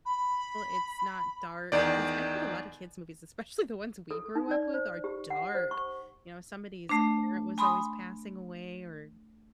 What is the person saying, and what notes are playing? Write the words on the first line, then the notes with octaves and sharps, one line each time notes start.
it's not dark, 'cause I think a lotta kids movies, especially the ones we grew up with, are dark, you know, somebody's parent was always passing away or
B5
E2 D#3 D5
A4
D#4
D5
C5
G4
F#5
C5
C#6
A3 D4
G#5 B5 C6 D#6